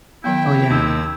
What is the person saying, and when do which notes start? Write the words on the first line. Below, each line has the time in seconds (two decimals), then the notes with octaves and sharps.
Oh yeah.
0.24 D#3 F#3 B3 E4 G5
0.70 D#2 E6 G6